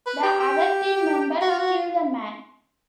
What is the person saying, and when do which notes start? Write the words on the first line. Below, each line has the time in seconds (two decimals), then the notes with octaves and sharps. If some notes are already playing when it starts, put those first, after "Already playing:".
The other team members kill the man.
0.06 B4
0.23 G4
0.40 G4
1.41 F#4
1.50 F4
1.58 F#4